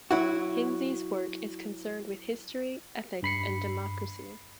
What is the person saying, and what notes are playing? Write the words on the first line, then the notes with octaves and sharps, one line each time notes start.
Hinsey's work is concerned with history, ethics and democracy.
F#3 E4 F#4
G2 B5 C7 C#7